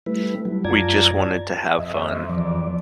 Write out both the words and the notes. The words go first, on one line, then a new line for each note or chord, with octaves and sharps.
We just wanted to have fun.
G3 A3 E4 B4
F#3 G3
F#2 F4 D5 A5 A#5 G#6
F2 D#5 E5
E2 F3 D5